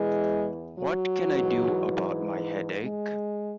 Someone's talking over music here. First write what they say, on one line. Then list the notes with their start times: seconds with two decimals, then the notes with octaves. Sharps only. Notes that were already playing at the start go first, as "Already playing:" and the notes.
What can I do about my headache?
Already playing: E2 E3 G#3
0.79 F#3
1.30 G#2 E3
2.84 G#3